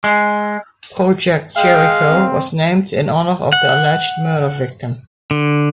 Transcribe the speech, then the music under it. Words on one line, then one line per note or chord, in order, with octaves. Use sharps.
Project Jericho was named in honour of the alleged murder victim.
G#3
G#3 F5 G5
C4
F#5
D3